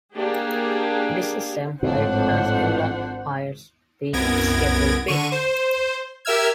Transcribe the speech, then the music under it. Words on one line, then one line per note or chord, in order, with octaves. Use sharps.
It is the same height as England's highest peak, Scafell Pike.
A#3 D4 G4 G#4
G#1 F2 A2 D4 C5 F#5
C2 F#2 B3 G#6 A#6 D7
D3 C#6 D#7
C5
G4 A#4 E5 E6 F6 G#6